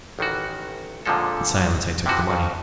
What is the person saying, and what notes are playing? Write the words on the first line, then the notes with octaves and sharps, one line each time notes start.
In silence I took the money.
A1 D#3 E3 F#4
F2 A#2 D3 F3 G#3 A4
C3 E3 F3 F#4
F2 C#3